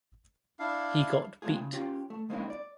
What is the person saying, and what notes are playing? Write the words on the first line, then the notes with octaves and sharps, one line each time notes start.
He got beat.
D4 E4 F5
C3 G#3 A3 B3 F4 G#4
C#3
C#4 F4 G4
A3
G#3 A#3 C4 C#4 D#4 E4
D5